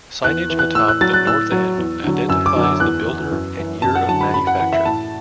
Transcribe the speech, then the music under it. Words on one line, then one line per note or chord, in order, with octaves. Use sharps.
Signage atop the north end identifies the builder and year of manufacture.
E2 F#6
E3
F#6
A2 E6
F#6
F#3 A6
F#6
A2 E6
F#3
E2
D3 F#3
F#2 E6
D6
D3 F#3
E6
E2 F#6
E3
F#2
E3
F#2 A5
F#5
D3 F#3 A5
B5
F#2 B5
F#5
E3 F#5
E5
A2 A5